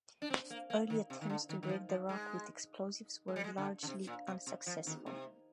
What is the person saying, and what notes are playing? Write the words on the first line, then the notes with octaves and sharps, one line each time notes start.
Early attempts to break the rock with explosives were largely unsuccessful.
D4
C4
A#3
A#3
D#3
C3
D#3
D3
D#3
D#3
F3
F3
G#3
G#3
G3
G#3
D3
D3
C3
A#2
C3
C3
F3
D#3
C3